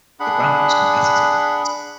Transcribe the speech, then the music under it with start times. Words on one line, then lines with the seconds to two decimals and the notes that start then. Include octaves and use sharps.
The grant was competitive.
0.20 D4 G#4 F#5 B5